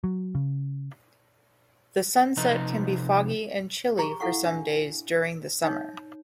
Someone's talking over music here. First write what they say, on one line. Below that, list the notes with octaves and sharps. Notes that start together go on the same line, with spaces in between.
The Sunset can be foggy and chilly for some days during summer.
F#3
C#3
C3 F3 D#4 B4 D#5 A#5
G4 G#4 A#5 C#6
E4 A4 F5 F#5 C#6
D4 E5
D#4 C#5